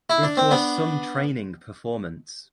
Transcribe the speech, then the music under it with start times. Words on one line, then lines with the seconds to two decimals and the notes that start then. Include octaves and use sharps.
It was some training performance.
0.10 E4
0.23 D4
0.37 C4
0.51 B3 D4